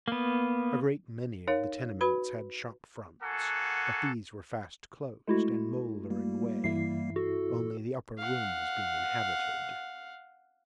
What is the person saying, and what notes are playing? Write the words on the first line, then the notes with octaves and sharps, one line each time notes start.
A great many of the tenements had shop-fronts; but these were fast closed, and mouldering away; only the upper rooms being inhabited.
A#3 B3
D#4 A#4 C#5 F5
F#4 B4 B5
A#3 F#4 A4 F#5 G#5
G#3 A3 E4 F#4
G3 A#3
G2 E3 E4 C7
F#4 A4
F5 F#5